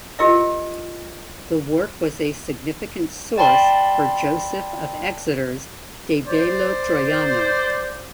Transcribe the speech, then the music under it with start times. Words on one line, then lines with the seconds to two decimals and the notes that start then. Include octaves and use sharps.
The work was a significant source for Joseph of Exeter's "De bello Troiano".
0.19 F4 G4 A#4 D#5 F5
3.38 D5 G5 A5 B5 C6
6.27 C5 D5